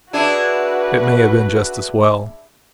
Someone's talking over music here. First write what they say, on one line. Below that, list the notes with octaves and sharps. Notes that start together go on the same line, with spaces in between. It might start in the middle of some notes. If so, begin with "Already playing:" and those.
It may have been just as well.
D4 E4 F#4 G#4 B4